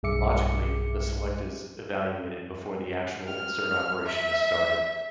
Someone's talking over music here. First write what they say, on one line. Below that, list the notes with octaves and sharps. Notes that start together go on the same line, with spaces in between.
Logically, the select is evaluated before the actual insert operation is started.
B1 G2 G#4 E5 D6 C#7
F6
E5